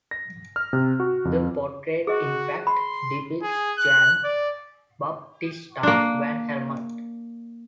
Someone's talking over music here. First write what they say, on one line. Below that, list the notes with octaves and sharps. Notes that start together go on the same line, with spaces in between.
The portrait in fact depicts Jan Baptista van Helmont.
A#6
F6
C3
F#4
F2
F#4 G#4 D#5
B5 C6
G#4
F#6
D5
A#3 D4